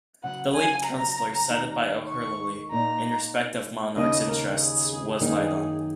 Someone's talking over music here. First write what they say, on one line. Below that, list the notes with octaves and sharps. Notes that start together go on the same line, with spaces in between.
The lead councillor cited by O'Herlihy in respect of Monarch's interests was Lydon.
C#3 F#3 C#4 F#5
G#5
A#5
D#2 D#3 A#3 D#4
C#6
A#2 A#3 D#4 A#5
D#2 C#3 A#3 D#4 D#5
A#4
G#4
F#2 D#3 A#3 D#4